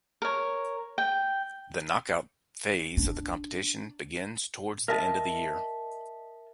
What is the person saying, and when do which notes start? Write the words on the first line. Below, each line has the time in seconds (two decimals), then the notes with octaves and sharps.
The knockout phase of the competition begins towards the end of the year.
0.22 A#4 C#5
0.98 G5
2.97 D4
4.88 A#4 D#5 E5 G5 A5